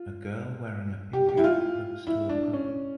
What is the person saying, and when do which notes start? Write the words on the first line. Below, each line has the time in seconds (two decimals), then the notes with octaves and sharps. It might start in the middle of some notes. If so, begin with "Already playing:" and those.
A girl wearing a pink hat looks to a puddle.
Already playing: F4
1.13 G4
1.29 G4
1.37 E4
1.44 F4
2.07 E4
2.29 D4
2.53 C#4